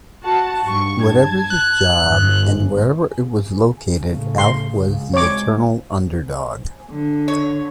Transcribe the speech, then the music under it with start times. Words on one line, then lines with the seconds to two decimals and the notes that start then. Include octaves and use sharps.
Whatever his job and wherever it was located, Alf was the eternal underdog.
0.23 F#4 F#5 A5
0.64 G2 C#6
1.03 A5 G#6
1.50 F#6
2.02 G1
4.09 A2 C#3
4.38 C6
4.84 C#2
5.14 C3 G#3 C#5 D6
6.89 D3
7.28 C#5